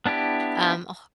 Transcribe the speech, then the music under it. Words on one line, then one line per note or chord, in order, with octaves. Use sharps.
Um, h
B3 D4 E4 G4